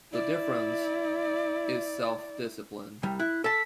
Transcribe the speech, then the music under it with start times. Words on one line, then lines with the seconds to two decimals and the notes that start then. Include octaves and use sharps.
The difference...is self-discipline.
0.13 E4 D5
3.03 C2 G3
3.19 E4 F#6
3.44 A4 A5 B6